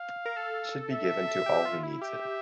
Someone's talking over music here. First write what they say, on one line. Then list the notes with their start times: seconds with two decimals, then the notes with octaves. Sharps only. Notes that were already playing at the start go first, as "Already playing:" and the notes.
It should be given to all who needs it.
Already playing: F5
0.25 A#4
0.37 A4
0.91 E5
1.46 G4
1.65 F4
1.83 E4
2.01 G4 E5